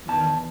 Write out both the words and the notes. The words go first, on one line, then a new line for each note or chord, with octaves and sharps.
You know
E2 A5